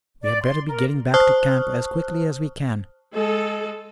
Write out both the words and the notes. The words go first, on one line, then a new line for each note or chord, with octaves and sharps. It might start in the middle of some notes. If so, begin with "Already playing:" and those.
We had better be getting back to camp as quickly as we can.
D5
C6
A#4
C5 A5 C#6 D#6 F6 F#6
G#3 A4